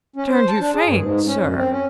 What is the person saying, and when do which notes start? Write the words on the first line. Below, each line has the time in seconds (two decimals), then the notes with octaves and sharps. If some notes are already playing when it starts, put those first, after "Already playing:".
'Turned you faint, sir!
0.16 C#4
0.29 C5
0.48 A5
0.60 D4
0.75 G#4
0.86 G2
1.00 G#2
1.27 C#4
1.41 F#2
1.56 C4
1.70 C#4